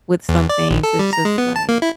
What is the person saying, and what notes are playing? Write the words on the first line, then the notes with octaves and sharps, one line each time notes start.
with some things, it's just like
E2
D5
A#1
A4
G3
A#5
G#3
B3
A5
A#3
E4